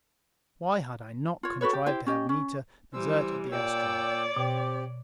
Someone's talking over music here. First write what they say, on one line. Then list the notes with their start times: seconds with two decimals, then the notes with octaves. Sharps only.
Why had I not contrived to have Anita desert at the asteroid?
1.43 F4 C#5
1.61 F#4 A4 B4 C#5
1.73 G4
1.86 E4 G4 C5
2.06 C#4 G4 D#5
2.29 C#4
2.94 E3 G3 C5 E6
3.52 A#2 C#5 D5 G5 E6
4.37 B2 C4 G4